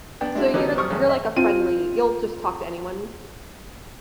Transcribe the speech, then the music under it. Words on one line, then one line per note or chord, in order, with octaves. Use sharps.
So, you're you're like a friendly you'll just talk to anyone?
B3 D4 G5
G#3 D4 E4 F#4
D3 F#3 G3 B3 C#4 D#4
F#2 G3 C4 C#6 D#6 F6
E2 G2 C#3 C#4
E5
C4 F4 D#7